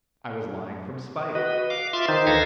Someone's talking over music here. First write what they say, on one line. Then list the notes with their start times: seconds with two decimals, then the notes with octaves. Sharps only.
I was lying from spite.
1.35 F#4 B4 D#5
1.70 F5 D6
1.93 F4 E5 C6 D6
2.08 D#3 D#4 C5
2.27 D2 A4 B4 F5 G#6 A#6